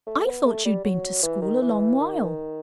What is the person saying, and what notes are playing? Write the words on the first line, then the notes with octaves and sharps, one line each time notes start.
"I thought you'd been to school a long while."
A3
B3
A3
G3
F#3
E3
D#3
E3
D#3